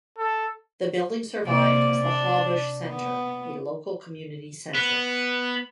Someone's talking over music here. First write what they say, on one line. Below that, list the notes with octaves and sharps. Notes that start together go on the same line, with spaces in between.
The building survived as the Hawbush Centre, a local community centre.
A4
C3 A#3 D5
D4
B3
B3